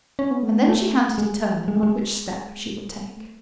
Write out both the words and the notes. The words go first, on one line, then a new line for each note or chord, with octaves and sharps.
And then she had to determine on which step she would take.
C#4
B3
A3
B3
A3
G#3
G#3
A3
G#3
A3